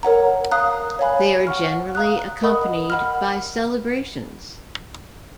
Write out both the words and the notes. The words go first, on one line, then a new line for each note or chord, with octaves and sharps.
They are generally accompanied by celebrations.
A#4 C#5 F#5 A#5
F5 A#5 D#6 F#6
C#5 F5 G#5 B5
F#5 C#6 F6
F5 A#5 D#6 F#6
A#4 D#5 F#5 B5 D#6
F#5 B5 F6